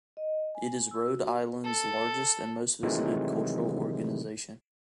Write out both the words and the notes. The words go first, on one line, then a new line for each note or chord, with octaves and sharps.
It is Rhode Island's largest and most-visited cultural organization.
D#5
G#5
E6
F#4
A4
C3 D#3 E3 F#3 G#3 A3